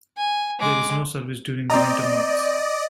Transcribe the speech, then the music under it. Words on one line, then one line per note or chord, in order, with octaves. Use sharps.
There is no service during the winter months.
G#5
G#3 D6
C4 D5 D#5 A#5